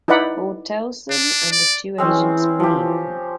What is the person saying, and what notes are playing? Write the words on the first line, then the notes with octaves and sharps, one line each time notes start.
Ford tells them and the two agents believe them.
D#4 E4 B4 D5 F#5 B5
D4
D5
E3 G#3 C4 C#4
F3 G4